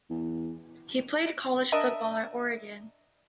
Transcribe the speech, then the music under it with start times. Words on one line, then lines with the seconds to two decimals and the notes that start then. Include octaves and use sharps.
He played college football at Oregon.
0.10 E2
1.72 D4 A#4 D#5 E5